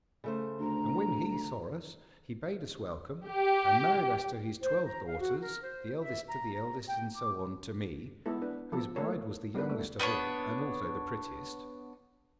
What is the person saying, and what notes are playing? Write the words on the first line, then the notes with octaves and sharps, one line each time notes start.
'And when he saw us, he bade us welcome, and married us to his twelve daughters, the eldest to the eldest, and so on to me, whose bride was the youngest of all and also the prettiest.
C#3 A3 C5
D2 A#5
G4
C5
A#5
F5
F#4
A#4
C5
E5
A#5
A#5
G5
D6
G#3 B3 E4 A4
D4 B4
F3 B3 A4
A3 A#3 A4 A#4 C#5
G3 B3 D#4 G4 A#4 B4
A3
B3 D4 B4 C#5